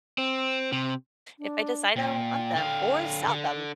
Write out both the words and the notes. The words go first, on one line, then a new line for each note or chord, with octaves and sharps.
if I decide I don't want them or sell them,
C4
C3
D4
A#2 G5
D3 F5
D3